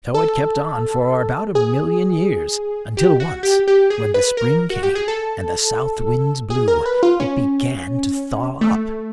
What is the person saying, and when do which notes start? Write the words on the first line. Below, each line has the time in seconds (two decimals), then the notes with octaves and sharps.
So it kept on for about a million years, until once when the spring came and the south winds blew, it began to thaw up.
0.14 A4
1.55 G#4
2.97 G4
3.20 F#4
3.43 G4
3.68 G4
3.90 G#4
4.14 B4
4.37 A#4
4.70 F#4
4.83 G4
4.95 G#4
5.08 A4
6.50 G#4
6.68 A#4
6.86 B4
7.03 F4
7.20 C#4
8.61 A3